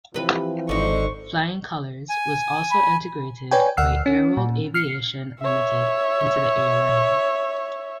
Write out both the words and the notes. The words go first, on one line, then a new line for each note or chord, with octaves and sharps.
Flying Colours was also integrated by Airworld Aviation Limited into the airline.
C3 E3 F3 C4 B4
G#1 D3 D#4 C5 C#6
G#5
B5
B4 C#5 D5 G5 G#5
D2 F#5 E6 F6 C7
C#4
A#2
F6 C7 C#7
C#5 E5